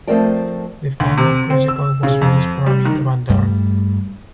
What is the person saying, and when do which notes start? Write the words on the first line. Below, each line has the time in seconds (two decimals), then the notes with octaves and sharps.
The founding principal was Miss Paramita Bandara.
0.07 F3 A3 C4 A#4 D5 G5
1.00 D2
1.18 C3
1.50 C4
1.68 E6
2.03 C#3
2.21 F2
2.66 G3
2.85 D#3
3.29 G2 G3 A3